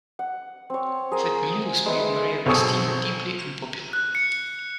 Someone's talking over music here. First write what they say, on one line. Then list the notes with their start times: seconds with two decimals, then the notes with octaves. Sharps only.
That news made Maria Christina deeply unpopular.
0.19 F#5
0.70 C4 C#5
1.11 G#4 A#4 C5
1.86 G#3 B4 E5
2.46 B1 C4 G#4 A4 C#6 D#6
3.93 F#6
4.15 C#7